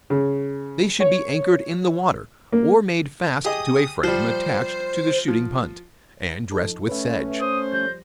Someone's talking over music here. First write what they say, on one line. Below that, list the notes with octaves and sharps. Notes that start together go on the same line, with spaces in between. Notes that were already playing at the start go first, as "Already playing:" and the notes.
They should be anchored in the water, or made fast to a frame attached to the shooting-punt, and dressed with sedge.
C#3
C#5
A#3
G4 G#4 D#5 D#6
F3 G3 C5
F3
F3 D#4 A4
A3 C#4 B4 E5
C5 D#6
F3 G3 G6 A#6